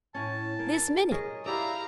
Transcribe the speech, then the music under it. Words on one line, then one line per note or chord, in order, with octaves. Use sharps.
This minute!
A2 C#4 A5
A#3
G#4 A#4 C#5 D#5
E4 G4 D5 E5 F5 A#5